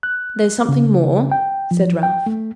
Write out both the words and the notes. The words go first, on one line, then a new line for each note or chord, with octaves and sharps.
'There's something more,' said Ralph.
F#6
C#3
G5
F3
G5
A3